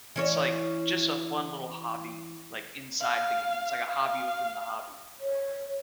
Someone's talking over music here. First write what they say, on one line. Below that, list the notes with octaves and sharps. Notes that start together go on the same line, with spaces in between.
it's like just a fun little hobby, like, inside the game, it's like a hobby within the hobby,
E3 C#4 C#5
F5
F5
C#5